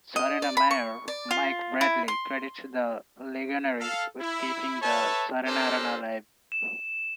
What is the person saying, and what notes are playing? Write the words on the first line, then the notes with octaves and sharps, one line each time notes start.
Sarnia Mayor Mike Bradley credits the Legionnaires with keeping the Sarnia Arena alive.
D#5
D5
B5
C#6
D5
F4
E4
C6
A4 F5
E4
A4 B4 C#5 E5 A5
C#4 D4 G4 A4 A#4 C5
E7